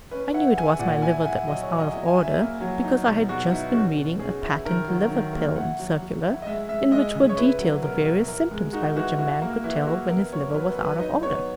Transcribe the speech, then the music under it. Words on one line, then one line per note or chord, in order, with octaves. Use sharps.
I knew it was my liver that was out of order, because I had just been reading a patent liver-pill circular, in which were detailed the various symptoms by which a man could tell when his liver was out of order.
C#4 B4
E4 F#5
E4 G#5
A#2 F#5
E4 G#5
G#5
E4 F#5
F#3 D#5
C#5
F#3
D#5
E4 D#5
G#5
E4
E5
A#3
F#3
D#4
B2
B2 F#4
D#4 E4
C#4 F#4
B2
C#4 G#4
E4
D#3 A#4
F#3
D#3
A#3
E4 F#5
F#3
F#3
E4
D#5
G#3 E5
G#3 E5
G#3 D#5
C#3
C#5
E4 B4
F#3
B2 A#4
B2
E3 A#4
G#3
D#4 F#4
E3 F#4
E4 F#4
A#3
E3 E4
E4 F#4
B3 A#4
F#3 C#5
A#4
F#3 B4
B4
F#3
B4
D#4 D#5
B3 C#5